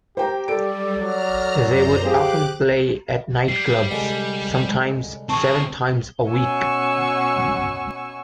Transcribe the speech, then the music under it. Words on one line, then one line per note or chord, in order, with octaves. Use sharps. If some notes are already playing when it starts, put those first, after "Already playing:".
They would often play at night clubs, sometimes seven times a week.
G4 C5 G5 A#5
G3 A4 D5 D7
F#3 A#5 F6
F#2 C5 A#5
C4 G4 G#4 F5 D6 F#6
G3 C7
C2 D3 G#3
C4 G#4 A5 C#6
B2 C#4 F#5 G#5 C#6 E6